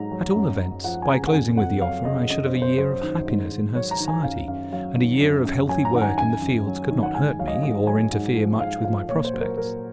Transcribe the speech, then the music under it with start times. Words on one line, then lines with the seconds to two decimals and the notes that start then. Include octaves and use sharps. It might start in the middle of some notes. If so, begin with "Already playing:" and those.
At all events, by closing with the offer I should have a year of happiness in her society, and a year of healthy work in the fields could not hurt me, or interfere much with my prospects.
Already playing: G#2 F#3 A#5
0.11 F#3
0.36 F#2
0.60 F#2
0.84 F3 F#5
1.02 G#5
1.08 C#3 A#5
1.27 F#5
1.32 F2 G#5
1.56 F2 F#5
1.81 F#3 F5
2.05 C#3 D#5
2.30 F#2 D#5
2.46 C5
2.54 F#2
2.62 C5
2.78 F#3 C5
3.03 D#3
3.27 G#2
3.51 G#2
3.75 F#3 C#5
3.91 A#5
4.00 D#3
4.08 G#5
4.23 F#2 F5
4.48 F#2 F5
4.72 F#3 F5
4.96 D#3
5.20 F#2
5.45 F#2
5.69 F#3 G#5
5.85 A#5
5.94 D#3 F#5
6.02 G#5
6.17 F#2 G#5
6.42 F#2
6.66 F#3
6.90 D#3
7.03 F#5
7.15 G#2 G#5
7.39 F#3 F5
7.48 D#5
7.55 F5
7.63 G#2 D#5
7.87 F#3 G#5
8.12 G#2
8.36 F3
8.60 G#2 F5
8.84 F3 F5
9.09 A#2 C#5
9.25 C5
9.33 F#3
9.41 A#4
9.57 A#2 A#4